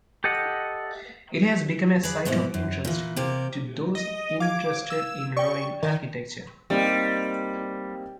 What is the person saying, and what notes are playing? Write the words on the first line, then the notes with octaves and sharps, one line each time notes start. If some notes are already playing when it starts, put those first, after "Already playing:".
It has become a site of interest to those interested in ruined architecture.
G4 A4 D#5 F#5
G#4 B4 D5
G#2 B2 G3 C4 E4
F#2
A#2 E3
C3 A#3 G4
D#5
F5 D6 G#6
E6
D5 G5 C#6
D#3
G3 A#3 C4 D#4